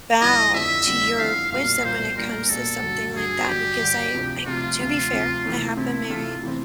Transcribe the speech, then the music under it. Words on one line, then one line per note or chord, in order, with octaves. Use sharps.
bow to your wisdom when it comes to something like that because I I to be fair, I have been married
F2 D3 G3 C4 E4 D#5
F2 D3 G3 C4 E4 E5
F2 D3 G3 C4 E4
F2 D3 G3 C4 E4 F5
B1 A#2 G3 A#3 F5
B1 A#2 G3 A#3 C5
B1 A#2 G3 A#3 A#4
B1 A#2 G3 A#3 A4
G2 D3 F#3
G2 D3 F#3 G#4
G2 D3 F#3 G4
G2 D3 F#3
D2 C3 F3
D2 C3 F3 F4
D2 C3 F3
D2 C3 F3
C3 E3 A3 C4
C3 E3 A3 C4 E4
C3 E3 A3 C4 F4
C3 E3 A3 C4